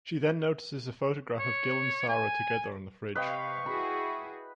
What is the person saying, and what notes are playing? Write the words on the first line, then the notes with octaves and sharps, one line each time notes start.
She then notices a photograph of Gil and Sara together on the fridge.
C#5
G#5
C3 B4 D#5 F5 G5 C#6
E4 F#4 G#4 B5